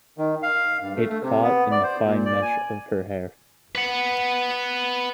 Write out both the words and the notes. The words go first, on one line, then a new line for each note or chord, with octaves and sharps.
It caught in the fine mesh of her hair.
D#3
F5
G2
A3
A3
C3
B3
D5
C5
A#2
D5
G#5
B4 F#5